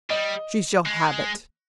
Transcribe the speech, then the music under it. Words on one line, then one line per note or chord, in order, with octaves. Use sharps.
"She shall have it."
G3 D#5
G#3